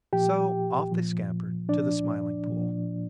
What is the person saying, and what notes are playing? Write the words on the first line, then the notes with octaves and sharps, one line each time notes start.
So off they scampered to the Smiling Pool.
A#2 F3 G4 G5
A#2 F3
A#2 F3 D4 D5
A#2 F3